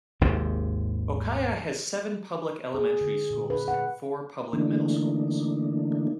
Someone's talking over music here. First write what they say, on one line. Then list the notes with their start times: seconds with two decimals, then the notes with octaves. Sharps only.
Okaya has seven public elementary schools and four public middle schools.
0.21 G#1 D#2 G#2 C3
2.74 G#4
3.01 D3
3.30 A#2
3.50 B4
3.68 F#5
4.53 D3 E3 A3 A#3 D4 D#4